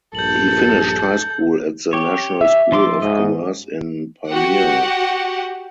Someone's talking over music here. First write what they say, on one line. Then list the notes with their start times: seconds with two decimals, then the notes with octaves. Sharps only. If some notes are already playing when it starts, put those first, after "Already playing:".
He finished high school at the National School of Commerce in Palmira.
0.15 A#1 G2 A4 G6 F#7
1.93 G4 C#5
2.41 E5
2.72 F3 C6 D6
3.02 G#2 D#5
4.30 F#4 G4 F#5